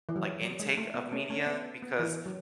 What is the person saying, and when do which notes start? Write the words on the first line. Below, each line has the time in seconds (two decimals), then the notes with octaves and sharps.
like intake of media, because
0.09 E3
0.16 F#3
0.42 F#3
0.60 G#3
0.77 A3
0.94 B3
1.12 A3 C#4
1.30 A3 C#4
1.47 B3
1.83 B3
1.99 E3
2.26 F#3